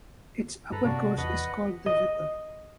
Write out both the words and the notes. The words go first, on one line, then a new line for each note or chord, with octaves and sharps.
Its upper course is called the Wipper.
G2 A4 B4 A#5
C3 D4 F#4
E2 B4 D#5 F#5
D#5